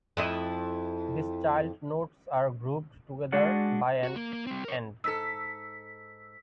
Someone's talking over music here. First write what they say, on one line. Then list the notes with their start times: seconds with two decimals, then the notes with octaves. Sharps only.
These child nodes are grouped together by an "and".
0.17 F2 E4 D#5
3.32 G#3 D4 F#4 G#4 D5 F#5
4.04 F#4
4.16 A#3
4.33 A#3
4.47 G3 C4
4.64 A#4 C#5
5.04 G#2 A4 E6 B6